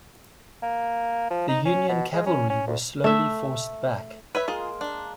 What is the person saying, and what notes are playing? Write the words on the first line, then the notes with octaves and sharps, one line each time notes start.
The Union cavalry was slowly forced back.
A#3
F3
D#4
C#4
B2
G#3
C#4
C#4
D2
A3 E5
B4 C#5 E5
G#3 A#3 F4 G#4
D4